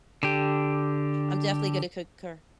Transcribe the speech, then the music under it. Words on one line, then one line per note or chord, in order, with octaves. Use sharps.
I'm definitely gonna concur
D3 G4